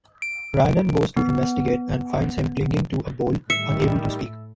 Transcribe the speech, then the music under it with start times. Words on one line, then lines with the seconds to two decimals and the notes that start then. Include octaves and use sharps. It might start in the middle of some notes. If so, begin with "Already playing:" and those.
Rhiannon goes to investigate and finds him clinging to a bowl, unable to speak.
0.22 D7
1.17 B3
3.50 A2 D#3 G3 E5 C#7